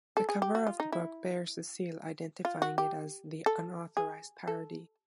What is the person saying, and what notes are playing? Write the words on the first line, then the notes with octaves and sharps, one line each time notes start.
The cover of the book bears a seal identifying it as The Unauthorized Parody.
A4
G#4
G4
F#4
F4
D#4
E4
F4
F#4
G4
A4
G#4
A4